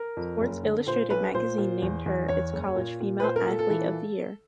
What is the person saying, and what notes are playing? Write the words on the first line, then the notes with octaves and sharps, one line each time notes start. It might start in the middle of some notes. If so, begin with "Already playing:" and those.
"Sports Illustrated" magazine named her its college Female Athlete of the Year.
Already playing: A#4
F2
F#1
D3
A#2 C5
B1 B4
A#2 C5
A#2
E2
E2
E2 C#5
F#1
A#2
A#2
B4
A#2 C5
A#4
A#2 A4
A4
E3